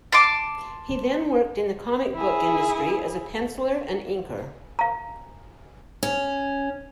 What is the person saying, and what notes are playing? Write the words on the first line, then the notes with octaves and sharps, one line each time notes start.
He then worked in the comic book industry as a penciller and inker.
A5 C6 D6
E4 G#4
F5 A#5
C#4